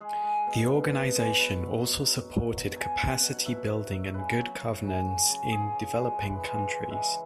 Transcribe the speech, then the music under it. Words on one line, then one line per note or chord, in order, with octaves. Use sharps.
The organisation also supported capacity building and good governance in developing countries.
G#3 G#4
G#3
B2
B2
B2
G#3
F#3 B4
F#3
F#3
F#3
B2
F#3
F#3 G#5
F#3
F#5
B2
F#3 E5
F#3
F#3
C#3 B4
F#3
F#3
C#3
C#3
C#3
C#3 G#4
C#3
G#3
E3 B4
G#3
E3
G#3 E5